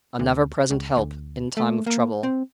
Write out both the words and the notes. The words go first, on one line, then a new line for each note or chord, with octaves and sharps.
A never present help in time of trouble.
D2
C#2
D2
A3
A#3
C4